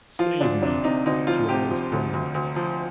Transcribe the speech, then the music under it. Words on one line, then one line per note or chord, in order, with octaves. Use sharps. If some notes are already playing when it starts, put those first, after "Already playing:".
"Save me!" she almost groaned.
F3 F4
D2 D4
C3 D4
C3 D#4
D2 D#4
F3 F4
C3 G4
F3
D2
D2
D2
F3